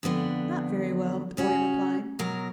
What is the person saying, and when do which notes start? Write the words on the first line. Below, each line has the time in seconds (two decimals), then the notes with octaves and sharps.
"Not very well," the boy replied.
0.03 F2 D3 B3 D4
1.37 C#3 C#4 F#4
2.19 B2 F#3 A#4